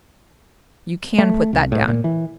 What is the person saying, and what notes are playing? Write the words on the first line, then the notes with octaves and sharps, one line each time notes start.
You can put that down.
A3
C2
A2
A#2
E3